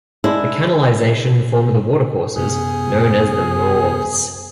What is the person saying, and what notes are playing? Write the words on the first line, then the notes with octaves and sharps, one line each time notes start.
The canalisation formed the watercourses known as the mauves.
G#3 D4 E4
F#2 C3 B3 G#4